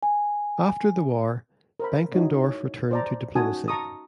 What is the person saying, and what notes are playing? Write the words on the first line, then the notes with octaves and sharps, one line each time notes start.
After the war, Benckendorff returned to diplomacy.
G#5
A#4 C5 B5
D#4 E4 F#4 C#5
C#5
C5 D5 A#5
C#4 D#4 F#4 G#5 A5 D#6
A5 A#5 C#6 D#6